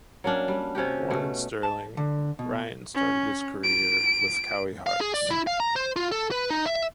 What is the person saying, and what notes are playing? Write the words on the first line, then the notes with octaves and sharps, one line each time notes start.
Born in Stirling, Ryan started his career with Cowie Hearts.
F#3 A#3 C#4 D4
G3
C3 C#4 F#4 G4
B2 A3
A5
D3
B2
C#4
D7
F5
G#4
D5
E4
F5
A#5
C5
F4
A4
B4
D#4
E5